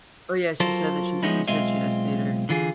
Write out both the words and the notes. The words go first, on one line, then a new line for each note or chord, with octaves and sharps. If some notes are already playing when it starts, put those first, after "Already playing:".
Oh, yes. You said that she d you said she does theater.
F#3 F4 A4 A#4 C5
F3 G#3 B3 C#4 D#4 E4
B1 G#3 C4 F4 D#5 E5
D3 E3 F4 G#4